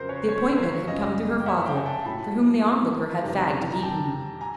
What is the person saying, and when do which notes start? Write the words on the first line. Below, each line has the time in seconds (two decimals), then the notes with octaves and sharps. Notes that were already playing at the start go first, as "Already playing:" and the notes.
The appointment had come through her father, for whom the Onlooker had fagged at Eton.
Already playing: F2 C#3 F#3 A#4 C5
0.09 B4 C#5
0.28 C#5
0.38 C5
0.48 B4
0.57 A#4 C5
0.87 F#2 C#3 F3 G#3 D#5 F5
1.40 G5
1.46 E5 F#5
1.66 F5 G5
1.76 G#5
1.86 G5 A5
2.05 A2 F#3 A3 A5 B5
3.23 F2 C3 D#3 G3
3.70 A#5
3.82 G5 A5
4.41 G#5 A#5